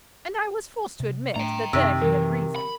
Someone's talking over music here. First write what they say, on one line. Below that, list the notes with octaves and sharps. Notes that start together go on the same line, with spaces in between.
And I was forced to admit that there he had reason.
C3
A2 A3 D4 G5 A#5
F#2 C3 D#3 E6
E3 A#4
B5